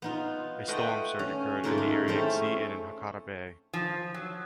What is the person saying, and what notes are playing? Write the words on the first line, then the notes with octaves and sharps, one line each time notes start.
A storm surge occurred in the Ariake Sea and in Hakata Bay.
B3 D#4 F4
A3 F4 B4 D#5 F#5 G5
C#4
G#2 A3 F4 A#4 E5 B5
D#4
A3 C4 C#4 E4 A4
F3
F#3